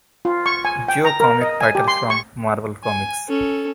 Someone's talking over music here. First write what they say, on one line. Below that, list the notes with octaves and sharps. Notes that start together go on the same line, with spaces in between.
Joe comic title from Marvel Comics.
F4
C#6
G#5
G5
A#5
A#4
D#5
G#5
G4
C6
C#6
G#5
C#4 A4